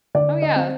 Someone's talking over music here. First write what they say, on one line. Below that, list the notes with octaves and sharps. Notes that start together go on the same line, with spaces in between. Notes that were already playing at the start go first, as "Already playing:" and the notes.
Oh, yeah.
D3 D5
D#5
C4